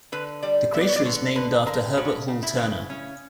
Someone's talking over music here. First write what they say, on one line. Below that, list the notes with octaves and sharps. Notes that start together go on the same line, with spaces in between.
The crater is named after Herbert Hall Turner.
D3 B4
G3 D5
B3 E5
D5
C#5
D5
D3 C#5
D3 B4
D3 A#4
C#3 F#4
C#3
E4
C#3
C#4